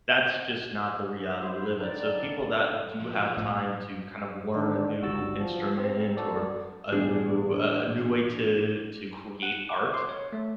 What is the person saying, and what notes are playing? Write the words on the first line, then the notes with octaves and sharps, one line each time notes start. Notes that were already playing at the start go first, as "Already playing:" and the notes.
that's just not the reality we live in. So people that do have time to kind of learn a new instrument or a new, uh, new way to to create art,
E4 C5
D3 D#3 D5
B2 F3
A2
D3 D#3 D4 D#4
G1 C#2 G3 F#4 E6 A6
F3
C4
F#4 A4 D5
E2 A2 D4 G#4
F#5
D6
C6
C#5
A3